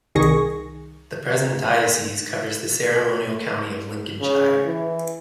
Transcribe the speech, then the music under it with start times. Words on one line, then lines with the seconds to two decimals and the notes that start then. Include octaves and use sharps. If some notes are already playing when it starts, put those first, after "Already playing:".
The present diocese covers the ceremonial county of Lincolnshire.
0.15 C2 D#3 G#4 C#6 A#6
4.20 C#3
4.65 E3